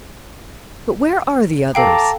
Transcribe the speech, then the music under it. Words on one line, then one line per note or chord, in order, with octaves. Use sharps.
But where are the others?
A4 F5 G5 A5 A#5 D6